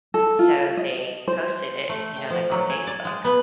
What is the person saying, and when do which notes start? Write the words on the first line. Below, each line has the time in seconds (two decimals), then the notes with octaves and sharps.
so they posted it, you know, like on Facebook,
0.14 A4
0.39 F4
0.77 D#5
1.28 C5
1.89 A3
2.16 G5
2.30 F3
2.52 F#3
2.70 G#5
2.87 D5
3.05 G#3
3.24 B3